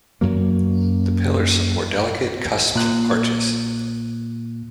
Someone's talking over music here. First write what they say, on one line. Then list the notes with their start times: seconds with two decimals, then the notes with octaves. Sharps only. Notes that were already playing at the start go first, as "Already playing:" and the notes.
The pillars support delicate cusped arches.
0.21 F#2 F#3 A#3
2.75 A#2 F#6